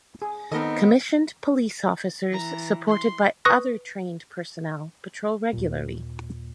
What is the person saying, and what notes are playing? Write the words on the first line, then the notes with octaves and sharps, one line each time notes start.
Commissioned police officers supported by other trained personnel patrol regularly.
G#4
D#3 B3 C4 D#4 A4 A#4 D#5
E3 A#5
C6
B4 C#6 D#6 F#6 A#6
D#2 A#2